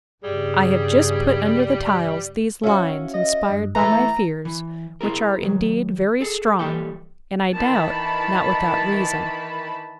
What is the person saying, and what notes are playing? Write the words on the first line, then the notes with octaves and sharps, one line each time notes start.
I have just put under the tiles these lines inspired by my fears, which are indeed very strong; and, I doubt, not without reason.
G2 C#3 G3 G#4
C#4 F#4 E5 F5
D#5
G2
E3 A3 B4 E5 A#5
E3
C4 E4 G#4 A#4
D#3 F#3
G#4 A4
E3 G3 A#3 A4 G5
D#3 E3 A5 B5